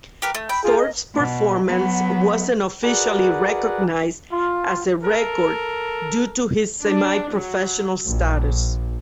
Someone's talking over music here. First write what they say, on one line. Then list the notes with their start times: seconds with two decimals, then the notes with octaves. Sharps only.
Thorpe's performance wasn't officially recognized as a record due to his semi-professional status.
0.22 G4 A#4 B4
0.35 A3
0.49 G5 B5
0.64 F4 G#4
0.78 D#5
1.14 B2
1.66 F#3 B3
2.84 F#4 G#4 A#4 B4 D5 F#5
4.31 F4
5.02 A4 A#4
6.82 D4
7.34 F#3
8.07 A#1